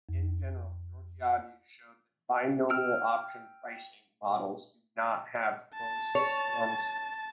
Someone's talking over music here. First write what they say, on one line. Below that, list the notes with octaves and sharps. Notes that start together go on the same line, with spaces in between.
In general, Georgiadis showed that binomial options pricing models do not have closed-form solutions.
F2
G5 E6 F6
A5
C#5